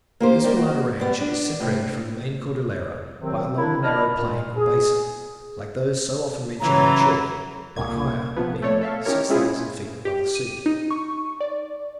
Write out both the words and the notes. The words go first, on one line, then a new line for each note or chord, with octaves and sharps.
The Uspallata range is separated from the main Cordillera by a long narrow plain or basin, like those so often mentioned in Chile, but higher, being six thousand feet above the sea.
A#3 G4 C5
G3 A#3 D#4
F#4
G3 B3
D4
A2 C3
C3 D#3 F#3 C4
A#3 D4 E4
D4 D5 D#5 B5 F6
A#2
G#4
C#3 E3 F#3 A#5
C2 A#2 A#3 G#6
C3 F3 B3
A3 A4 C#5 D5
A4 E5 F5
C#4 D#4 E4 G4 A#4 C#5
G#3 C4 C#4 E4 F4 G#4
G4
D#7
D#4
C#6
D5